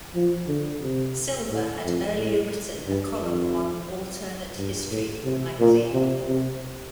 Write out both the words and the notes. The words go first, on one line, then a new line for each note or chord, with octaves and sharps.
Silver had earlier written a column on alternate history for the magazine.
F3
D3
C3
A2
F2
A2
G2
F2
G2
A2
C3
A#2
C3
C3